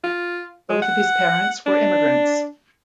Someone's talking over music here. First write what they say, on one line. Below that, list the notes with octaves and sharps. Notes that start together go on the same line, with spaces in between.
Both of his parents were immigrants.
F4
G#3
F#5
D4